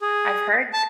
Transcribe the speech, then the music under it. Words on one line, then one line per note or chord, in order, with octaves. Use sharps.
I've heard
G#4
A5